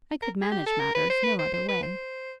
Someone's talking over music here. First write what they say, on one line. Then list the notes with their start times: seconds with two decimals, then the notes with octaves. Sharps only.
I could manage matters no other way.'
0.22 A#4
0.42 G#4
0.52 G4
0.66 A4
0.80 A#4
0.95 B4
1.10 C5
1.24 B4
1.39 C5
1.54 C5
1.68 B4
1.83 C5